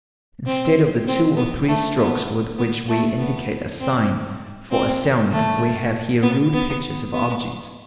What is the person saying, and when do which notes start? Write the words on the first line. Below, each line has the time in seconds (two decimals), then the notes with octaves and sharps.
Instead of the two or three strokes with which we indicate a sign for a sound, we have here rude pictures of objects.
0.47 C4
1.07 C4
1.37 B3
1.68 A3
1.98 B3
2.58 B3
2.89 A3
3.19 B3
3.79 C4
4.71 C4
5.31 A3
6.23 B3
6.53 B3
7.13 B3